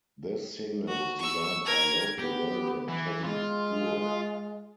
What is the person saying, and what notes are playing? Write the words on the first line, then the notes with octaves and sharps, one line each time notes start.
This signal was designed by local resident Teddy Boor.
F#4
C#6 E6
A#4 G#6
B3 G4
E3
G#3 F4